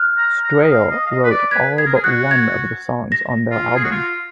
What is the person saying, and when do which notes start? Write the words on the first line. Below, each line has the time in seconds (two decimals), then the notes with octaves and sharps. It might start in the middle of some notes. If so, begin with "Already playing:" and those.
Strayer wrote all but one of the songs on their album.
Already playing: F6 F#6
0.18 A#5
0.44 A#5
0.62 D#5
0.71 F5
0.91 D#5
1.06 F5
1.11 D#5
1.24 B4
1.31 D5
1.51 B4 G#6
1.77 G#4 G#6
1.86 A#4
1.95 G#4
2.04 F#4 F#6
2.31 G#6
3.12 A#6
3.51 F4
3.76 G#4
3.84 F#4
3.92 F4